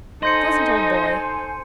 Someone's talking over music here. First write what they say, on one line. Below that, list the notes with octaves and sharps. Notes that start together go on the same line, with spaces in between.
Pleasant old boy.
D#4 A4 C5 D#5 G#5 C6 G6 C#7